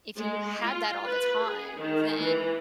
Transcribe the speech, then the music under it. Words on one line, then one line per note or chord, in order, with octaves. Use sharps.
if you had that all the time, then,
G#3
F4
B4
G#4
D#3
E3